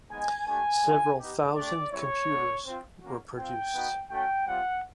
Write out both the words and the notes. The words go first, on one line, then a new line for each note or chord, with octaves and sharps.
Several thousand computers were produced.
G#3 B3 D#4 G#5
A3 D4 G4 G#5
G#3 C#4 F4
B3 D#4 G4
A3 D4 G4 D5
G3 C4 E4 C#5
A3 D4 F#4
C4 F4
A#3 C#4 F#4
C4 F4 G5
B3 D#4 F#4
A3 C#4 F#4 G5
G3 C4 F4 F#5